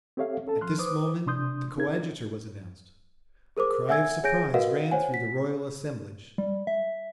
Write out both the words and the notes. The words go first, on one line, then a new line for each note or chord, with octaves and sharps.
At this moment the coadjutor was announced; a cry of surprise ran through the royal assemblage.
C4 G4 A4 C#5 E5 F5
C#4 A4 A5
F3 C6 F6 F#6
B4 C5 D6 D#6
C3 D4 C6 D#6 G6
C4 D#4 A#4 G#6
G#4 A#4 C5 D6
E5 F#5 G#5 E6 G#6
G#4 C#5 G#5 G6 A#6 D7
F#4 A#4 B4 D#5 F5 F#5
C5 C#5 F#5 G#5
B6
G3
E5